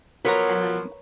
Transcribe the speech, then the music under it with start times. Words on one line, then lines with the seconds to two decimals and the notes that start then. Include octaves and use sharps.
and I'm
0.25 B2 F3 F#3 A#4 B4 C#5 A#5